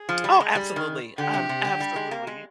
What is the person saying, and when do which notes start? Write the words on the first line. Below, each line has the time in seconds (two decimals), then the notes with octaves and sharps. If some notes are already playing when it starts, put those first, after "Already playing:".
Oh, absolutely, um, absolutely.
Already playing: G#4
0.09 F3
0.24 G3
0.40 G#3
0.55 G3
0.76 D#3
1.18 D3 G4
1.34 C3
1.49 C3
1.65 D3
1.80 G3
1.96 G#3
2.11 A#3
2.27 G#3